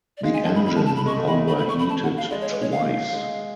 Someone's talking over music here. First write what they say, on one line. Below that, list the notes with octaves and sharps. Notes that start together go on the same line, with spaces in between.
The engine overheated twice.
D5
G#3 F5
G#5
A5
B5
B5
A5
A5
B5
G#3 C#6
A3
G#3 B5
A3
A3 B5
B5
C#6
B5
A5
F#5
F5
G#3 D5
C#5
B4
C#5
F5
G#3